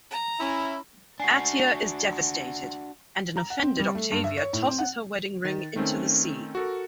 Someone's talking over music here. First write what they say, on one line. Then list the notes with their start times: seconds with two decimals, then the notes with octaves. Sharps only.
Atia is devastated, and an offended Octavia tosses her wedding ring into the sea.
0.10 A#5
0.39 C#4 E4
1.20 D4 F#4 G#5 C7
3.37 A#5
3.50 F#5
3.62 C4
3.79 G3
3.95 A3
4.12 G2
4.24 E5
4.37 C#5
4.53 A2
4.66 C4
4.78 F#5
5.45 D#3 A6
5.76 D#3 A3 C4 C#4
6.55 F#4 A4 A#4